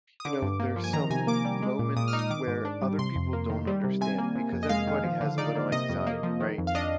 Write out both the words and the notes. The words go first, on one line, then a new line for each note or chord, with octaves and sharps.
you know, there's some moments where other people don't understand because everybody has a little anxiety, right?
D#6
D3 D6
G2
A#3
F3
G#5
D#3 A#5
C3 G#5
A#3 D6
G3
G#3
A#2
A#2 D#6
F6
D#4
D#6
D#3 D6
G#2
D4
G3
C3 C6
F2
A#3
D#3
G3
C3
C3 G#5
A#3
C3
F2
D#5
G#3 F5
D#3
F3
D3
D#4 D5
A#3
C3 D#5
F2
A#3
F3
D#3
F2
F5
D4 D#5